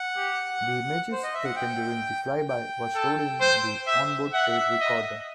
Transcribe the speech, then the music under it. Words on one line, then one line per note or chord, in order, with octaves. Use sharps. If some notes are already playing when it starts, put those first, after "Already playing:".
The images taken during the flyby were stored in the on-board tape recorder.
Already playing: F#5
G4
C5
D#5
E5
F#5
G5
G5
A4
C5
E5
E5 F#5
D#5